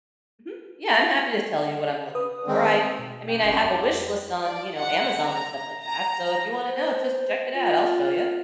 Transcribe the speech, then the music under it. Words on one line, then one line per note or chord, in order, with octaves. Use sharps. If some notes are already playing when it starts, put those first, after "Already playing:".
Mhm. Yeah, I'm happy to tell you what I'm looking for, I I mean, I have a wish list on, you know, Amazon and stuff like that, so, if you wanna know, just check it out, I'll show you.
B4 D#6
D#3 G#3 C4
B2
F#2 G5
G1 C#4
F2 G4
D5
F#5
A#5
A#5
C5
F4